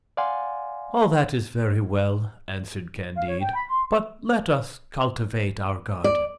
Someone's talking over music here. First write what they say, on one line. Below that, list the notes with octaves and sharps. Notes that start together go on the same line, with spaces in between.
"All that is very well," answered Candide, "but let us cultivate our garden."
D5 F5 F#5 G#5 C6
F5
C#5
G5
B5
C6
D5